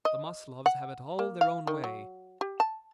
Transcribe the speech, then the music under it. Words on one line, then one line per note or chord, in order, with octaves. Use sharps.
The Maslovs have it all their own way.
D#5
F#5
A#3
F5
D#3
F#3
G4
A5